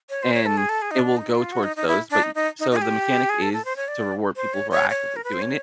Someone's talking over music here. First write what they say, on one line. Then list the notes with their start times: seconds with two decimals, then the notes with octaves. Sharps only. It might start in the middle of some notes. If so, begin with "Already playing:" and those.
and it will go towards those, but y so, the mechanic is to reward people who are actively doing it.
0.10 C#5
0.23 C5
0.34 C#5
0.46 A4
0.57 G#4
0.69 A4
0.82 G#4
0.91 D#4
0.99 D4
1.17 D#4
1.35 F4
1.52 F#4
1.63 D#4
1.76 D#4
1.87 E4
2.11 D4
2.23 D#4
2.35 D#4
2.59 D#4
2.71 D#4
2.76 G#4
2.82 G4
3.29 G#4
3.42 A4
3.53 A4
3.65 C5
3.76 C#5
3.88 D5
4.36 C5
4.54 C#5
4.71 C#5
4.90 C#5
5.16 A#4
5.24 B4
5.33 C5
5.42 C#5